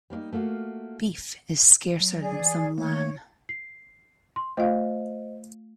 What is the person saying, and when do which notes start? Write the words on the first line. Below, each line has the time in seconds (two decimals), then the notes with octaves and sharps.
Beef is scarcer than some lamb.
0.10 G3 A#3 D4 D#4
0.33 A3 A#3 F4 F#4
2.00 F#3
2.19 G#4 D5
2.39 E3
2.78 D#3 A3 A#3 C#5
3.49 C7
4.36 C6
4.57 A3 F4 C5 D#5 F5